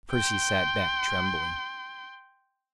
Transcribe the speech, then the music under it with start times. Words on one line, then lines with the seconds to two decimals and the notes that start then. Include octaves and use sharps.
Percy sat back, trembling.
0.12 G5 C6